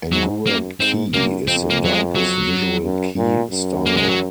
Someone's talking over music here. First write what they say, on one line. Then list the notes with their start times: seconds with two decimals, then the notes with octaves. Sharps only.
Angura kei is the darkest visual kei style.
0.12 G#2 F#3
0.46 F#2 A#3
0.80 G#2 C4
1.14 F#2 A#3
1.48 F2 C4
1.70 A#3
1.85 F#3
1.93 G#3
2.15 F#3
2.84 F#2
3.18 A#2
3.51 F#2
3.86 A#3
3.97 G#3
4.08 F#3